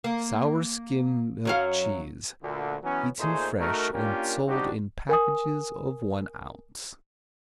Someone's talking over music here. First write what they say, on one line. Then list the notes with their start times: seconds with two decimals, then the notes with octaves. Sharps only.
Sour skim milk cheese, eaten fresh and sold in packages of one ounce.
0.04 A#3
1.45 F#2 F#3 F5
2.43 D2 A#2 D3
2.83 E3 F#3 B3 C#4
3.19 A#2 A3 D#4 G#4 C5
3.59 A3 D#4 F#4 A#4
3.94 A#3 C#4 D4 F4 G4 A#4
4.47 G3 C4 D4 D#4 F#4 G4
5.09 A#4 G#5 D#6